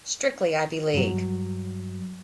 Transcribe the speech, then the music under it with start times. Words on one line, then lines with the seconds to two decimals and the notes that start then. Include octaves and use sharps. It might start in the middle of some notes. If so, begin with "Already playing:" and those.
Strictly Ivy League.
0.94 G2 F#3